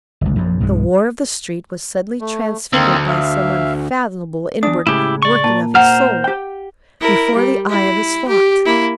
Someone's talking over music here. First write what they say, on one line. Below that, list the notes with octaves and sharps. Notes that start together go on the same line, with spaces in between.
The war of the street was suddenly transfigured by some unfathomable inward working of his soul, before the eye of his thought.
G1 C#2
A#1 F#2
B1 G2 G3 G#3
A3
D2 D#3 A#3 C4
E5 F5
E2 D4 D#6
A2 C#3 G#3 E4 G4
D5 C#6
A#2 A5
C5 F#5 A#5 F6
G4 G5
E4 A#4
G3
E4
G4
A#3 E4